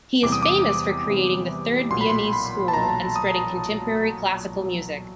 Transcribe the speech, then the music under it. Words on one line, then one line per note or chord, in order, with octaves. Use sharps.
He is famous for creating the "Third Viennese School" and spreading contemporary classical music.
E2 C3 E3 G3 D6
D#6
D6
E2 C3 E3 G3
B1 A#2 F#3 C6
B5
C6
B5
A5
B1 A#2 F#3 A#5
D#6